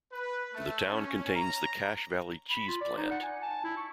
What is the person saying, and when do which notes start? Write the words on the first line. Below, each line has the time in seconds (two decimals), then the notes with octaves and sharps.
The town contains the Cache Valley Cheese plant.
0.12 B4
0.54 A3
0.92 C#4
1.35 A#5
2.50 B5
2.68 F4
2.81 D5
2.98 D#4
3.11 F#5
3.23 G#5
3.43 A5
3.64 E4
3.77 C#6